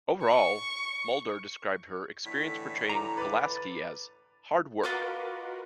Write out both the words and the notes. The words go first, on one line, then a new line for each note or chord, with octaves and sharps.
Overall, Muldaur described her experience portraying Pulaski as "hard work".
C#6
A2 D3 E3 B6
A#5 D6
B4 D6 A6
F4 F#4 A#4 B4 D#5 D6